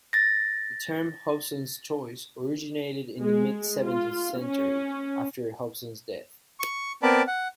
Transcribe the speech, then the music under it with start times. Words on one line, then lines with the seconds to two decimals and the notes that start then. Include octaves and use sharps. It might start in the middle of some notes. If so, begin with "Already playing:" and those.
The term "Hobson's choice" originated in the mid-seventeenth century, after Hobson's death.
0.13 A6 A#6
3.20 G#3
3.82 F4
4.39 C#4
6.60 C#6
7.03 B3 C4 A#4 D5 A5 B5
7.27 F#5